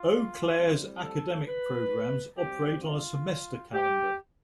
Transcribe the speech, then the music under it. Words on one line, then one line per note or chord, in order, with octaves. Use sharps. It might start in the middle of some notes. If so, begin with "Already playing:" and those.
Eau Claire's academic programs operate on a semester calendar.
Already playing: F4
A2 G3 C4
A4
B4
B2 G3 C4 G4
F4
G4